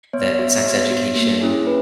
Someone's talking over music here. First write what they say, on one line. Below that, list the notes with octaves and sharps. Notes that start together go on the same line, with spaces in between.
that sex education
B3 C#5 E5
F#4 C#5 E5
B3
F#4
A#3
C#4 E4 G#4
B4